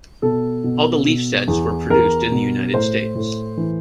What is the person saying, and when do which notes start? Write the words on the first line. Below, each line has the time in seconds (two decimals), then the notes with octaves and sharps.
All the Leaf sets were produced in the United States.
0.22 B2 A4
0.64 B2
1.06 B2
1.48 E2
1.90 E2 A#4
2.32 B2
2.74 A2 C5
3.15 A2
3.57 E3